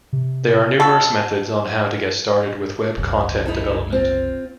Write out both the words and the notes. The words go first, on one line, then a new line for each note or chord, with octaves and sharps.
There are numerous methods on how to get started with web content development.
C3
B2 A4
F#1 C2
D#4 E4 A4
C4 F4